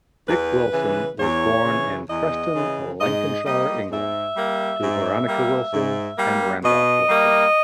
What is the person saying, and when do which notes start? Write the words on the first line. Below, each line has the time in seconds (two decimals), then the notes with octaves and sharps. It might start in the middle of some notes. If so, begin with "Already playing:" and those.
Dick Wilson was born In Preston, Lancashire, England, to Veronica Wilson and Randolf Wilson.
0.28 E2 B4
0.73 C#3 E3
1.19 E2 C#5
1.65 C#3 E3
2.09 E2 D#5
2.55 C#3 E3
3.01 G#2 D#5
3.45 G3 A#3 D#5
3.91 G#2 E5
4.37 G3 A#3
4.83 G#2
5.27 G3 A#3
5.73 G#2
6.18 G3 A#3
6.64 B2 D#5
7.09 G3 A#3